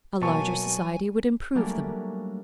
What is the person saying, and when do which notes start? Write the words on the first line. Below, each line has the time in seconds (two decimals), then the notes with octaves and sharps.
A larger society would improve them.
0.22 B2 F#3 A#3 G#5 A5 C#6
1.55 F#3 G3 A3 A#3 C#4 D4